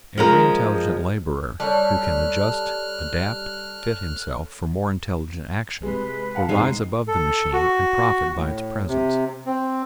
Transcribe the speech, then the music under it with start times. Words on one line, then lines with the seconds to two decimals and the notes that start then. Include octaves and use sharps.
Every intelligent laborer who can adjust, adapt, fit himself for more intelligent action will rise above the machine and profit by its presence.
0.18 F3 G#3 A#4
1.60 G3 A4 C#5 A5 F6 F#6
5.83 C3 G#3 B4
6.35 F5 F#5 A5
6.49 G#2 D#3 G3 G#3 C4 D#4 C7
7.08 A4
7.53 F#4
8.36 A2
8.88 C3
9.46 C4